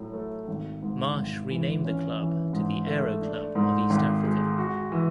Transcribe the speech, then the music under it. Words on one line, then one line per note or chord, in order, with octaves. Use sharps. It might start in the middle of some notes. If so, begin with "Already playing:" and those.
Marsh renamed the club to the Aero Club of East Africa.
Already playing: A2 F#3
A3
G#1
G#2
G#1
E3
C#4
E3
G#2
A3
D4
G#2
G#1
G#3
F#4
E3